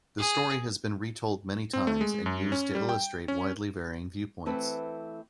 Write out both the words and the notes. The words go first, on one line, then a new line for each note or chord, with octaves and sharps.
The story has been retold many times and used to illustrate widely varying viewpoints.
G#4
C4
A3
G#3
F#2
C#4
G3
G5
C#4
E3 A3 C4 A4 B4